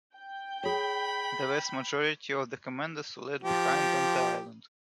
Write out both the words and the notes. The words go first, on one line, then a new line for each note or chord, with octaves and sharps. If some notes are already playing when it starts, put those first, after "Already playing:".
The vast majority of the commandos were left behind on the island.
G5 G6
G#4 C#5 B5
F3 G4